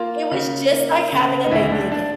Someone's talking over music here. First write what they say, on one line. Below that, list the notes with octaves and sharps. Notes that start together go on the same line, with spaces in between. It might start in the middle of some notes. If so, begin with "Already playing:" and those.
It was, just, like having a baby again.
Already playing: A#3 F4
C#3
A#3
C#3
D#4
D2 E4
D4
D4